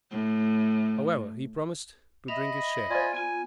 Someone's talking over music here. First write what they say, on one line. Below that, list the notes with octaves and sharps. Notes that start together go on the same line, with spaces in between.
However, he promised to drink his share.
A2
D#5 E5 B5 F7
F4 C5 D5 G#5
B3 F4 G#5